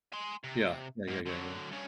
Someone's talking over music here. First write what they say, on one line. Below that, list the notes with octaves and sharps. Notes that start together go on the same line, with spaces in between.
Yeah. Yeah, yeah, yeah, yeah.
G#5 C6
C3
G#2 A#3
D3 F#3
G2 C#4